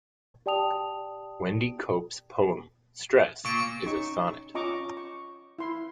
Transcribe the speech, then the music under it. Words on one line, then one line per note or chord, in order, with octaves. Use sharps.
Wendy Cope's poem "Stress" is a sonnet.
G4 D5 G5 A5 D#6 F7
A#2 C#6 D7
C#4 D#4 C#6
C#4 F4 D#5 A#5 C#6 D6
C#6
E4 C6